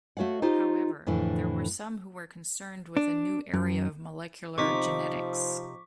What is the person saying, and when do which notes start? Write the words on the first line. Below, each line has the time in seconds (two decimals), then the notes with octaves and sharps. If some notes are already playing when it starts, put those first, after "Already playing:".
However, there were some who were concerned with the new area of Molecular Genetics.
0.17 A3 F#4 C#5 F5 F#5
0.42 D#4 F4 G4 C5
1.07 F2 A2 D3 E3
2.97 D4
3.54 F#2
4.58 C3 F3 D#4 C#6 D6 B6